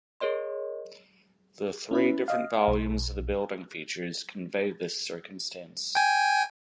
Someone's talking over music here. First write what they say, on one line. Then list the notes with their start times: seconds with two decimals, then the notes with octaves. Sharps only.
The three different volumes the building features convey this circumstance.
0.20 G#4 A#4 C#5 D#5 C6
1.91 C#4 E4 B4
2.28 D#5 F5
2.68 B1
5.95 G5 G#5